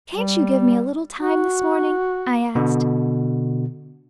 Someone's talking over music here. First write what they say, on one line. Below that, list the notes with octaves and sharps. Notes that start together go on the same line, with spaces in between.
'Can't you give me a little time this morning?' I asked.
G3
F#4
B2 D3